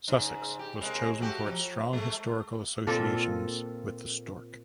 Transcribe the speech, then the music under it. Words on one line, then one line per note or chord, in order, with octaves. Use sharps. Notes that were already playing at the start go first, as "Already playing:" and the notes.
Sussex was chosen for its strong historical associations with the stork.
G#2 C#3
G4
C3 G#3 A#3
A3 F#4 G4
F3
G#3 A3
A#2 C4 F4 A4